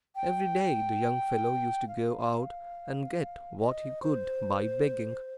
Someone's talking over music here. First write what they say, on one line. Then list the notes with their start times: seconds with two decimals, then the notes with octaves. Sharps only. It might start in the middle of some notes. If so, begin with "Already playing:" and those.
Every day the young fellow used to go out and get what he could by begging.
0.15 G5
1.88 F5
3.59 D#5
4.02 C5